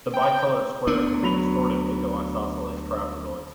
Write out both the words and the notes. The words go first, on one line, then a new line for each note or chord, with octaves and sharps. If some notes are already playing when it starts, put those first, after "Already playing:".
The bicolored square can be distorted into isosceles trapezoids.
G5
D2 B3 D4
F#3 B5 F7